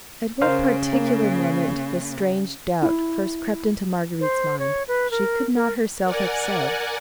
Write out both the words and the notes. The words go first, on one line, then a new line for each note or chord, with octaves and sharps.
At what particular moment the strange doubt first crept into Marguerite's mind, she could not herself have said.
C#3 A#4 C5 F5
A#3
E4
C5
C#5
B4
A#4
A#4
A#4 D5 F#5 G#5